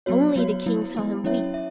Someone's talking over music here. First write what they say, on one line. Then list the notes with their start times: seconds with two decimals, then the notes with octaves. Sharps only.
Only the King saw him weep.
0.06 F#3 B3 F#4 C#5
0.36 F#3 B3 F#4 C#5
0.66 F#3 B3 E4
0.95 F#3 B3 E4
1.24 F#3 C#4 E4 C#5 E5
1.54 E5